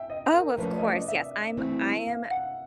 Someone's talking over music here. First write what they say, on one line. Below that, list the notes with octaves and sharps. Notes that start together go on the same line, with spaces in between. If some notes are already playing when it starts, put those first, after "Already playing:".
Oh, of course, yes, I'm I am,
Already playing: E5 G5
D#5
A#4
F3 A3 C#4 B4
D5
D#5
D5
D#5
E5
E3 A3 C4
F5
F#5